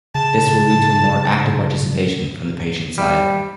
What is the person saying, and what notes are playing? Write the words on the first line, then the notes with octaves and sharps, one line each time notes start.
This will lead to a more active participation from the patient's side.
C#3 A5
G3